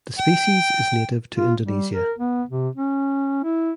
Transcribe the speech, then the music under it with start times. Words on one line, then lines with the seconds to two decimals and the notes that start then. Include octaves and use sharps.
The species is native to Indonesia.
0.19 G5
1.36 F4
1.63 G3
1.93 A#4
2.19 B3
2.49 C3
2.75 C#4
3.43 E4